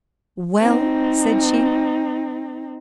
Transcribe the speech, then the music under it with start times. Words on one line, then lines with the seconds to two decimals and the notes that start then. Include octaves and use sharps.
"Well?" said she.
0.60 C4 D#4